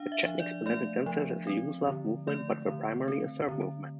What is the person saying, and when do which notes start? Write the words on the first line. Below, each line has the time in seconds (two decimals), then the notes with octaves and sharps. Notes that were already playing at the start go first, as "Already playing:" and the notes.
The Chetniks presented themselves as a Yugoslav movement, but were primarily a Serb movement.
Already playing: D4 F5
0.12 E5
0.26 F3
0.40 D5
0.66 A3 D5
1.06 F3
1.47 C4
1.87 D3
2.27 A3 D5
2.68 D3
3.08 C4
3.49 D3